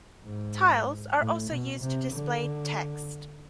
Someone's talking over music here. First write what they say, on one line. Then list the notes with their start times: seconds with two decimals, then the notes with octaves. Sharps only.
Tiles are also used to display text.
0.25 G#2
1.19 A2
1.50 B2
1.81 C3
2.13 D3